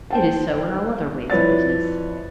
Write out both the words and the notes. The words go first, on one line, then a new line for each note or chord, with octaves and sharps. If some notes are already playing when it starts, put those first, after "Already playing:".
It is so in all other ways of business.
C5 G5 A5
F2 E4 B4 C#5 D5 A6